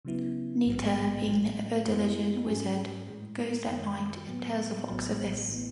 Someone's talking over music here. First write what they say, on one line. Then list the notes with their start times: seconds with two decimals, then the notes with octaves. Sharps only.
Nita, being the ever-diligent wizard, goes that night and tells a fox of this.
0.05 C#3 F#3 B3 E4
0.66 A1 G#2 F#3 B3
1.26 A2 F#3 A3
1.87 F#2 E3 G#3 B3 E4
2.47 G#2 F#3 C#4 G#4
3.07 A2 E3 G#3
3.68 F#2 D#3 G#3
4.27 A2 F#3 B3
4.88 A1 A2 F#3 B3
5.49 A2 E3 B3